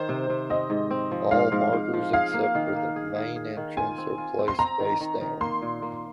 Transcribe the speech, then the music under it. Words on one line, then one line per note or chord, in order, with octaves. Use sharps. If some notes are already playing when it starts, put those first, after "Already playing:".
All markers except for the Main Entrance are placed facedown.
Already playing: D#3 C5
C3
C3
C4 D#5
G#2
C4
F3
G#2 F5
G#2
G#2
F3
G#4 F5
A#3
D#3
A#3
G#4
G#4
G#4
D#3
F4 G#5
C4
F4
C4
C6
C4 A#5
D#3
D#3
D#3
A#3 C6
A#2
A#3